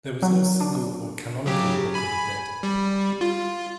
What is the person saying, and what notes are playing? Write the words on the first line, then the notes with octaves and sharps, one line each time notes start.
There was no single or canonical "Book of the Dead".
F#3
D4
C#3 F#3 G4
G#5 B5
G3
F4